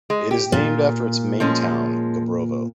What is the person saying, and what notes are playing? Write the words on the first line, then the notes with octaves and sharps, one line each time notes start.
It is named after its main town - Gabrovo.
G#3
G4
A#2 F4
F3 G#3 C#4